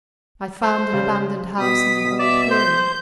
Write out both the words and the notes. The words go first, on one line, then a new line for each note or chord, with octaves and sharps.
I found an abandoned house in an old clearing.
C5
C#3 G3
B2 D#6 B6
D5 E5 E7
C5 G6